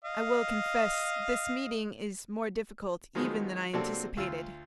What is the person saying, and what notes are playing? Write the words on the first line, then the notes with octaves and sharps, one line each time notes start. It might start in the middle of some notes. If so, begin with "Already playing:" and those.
I will confess this meeting is more difficult even than I anticipated.
D#5 F5
D#3 F3 F#3 G#3 B3
C3 F#3 A#3 C4 D4 A4
D2 F4 E6